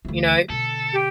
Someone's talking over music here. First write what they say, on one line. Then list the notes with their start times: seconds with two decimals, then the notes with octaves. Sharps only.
you know?
0.05 D2 E3
0.50 B2 D3 A4
0.92 G4